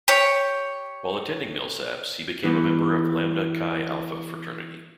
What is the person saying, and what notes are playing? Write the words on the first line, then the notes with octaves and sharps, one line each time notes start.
While attending Millsaps, he became a member of Lambda Chi Alpha Fraternity.
G4 C#5
E3 B3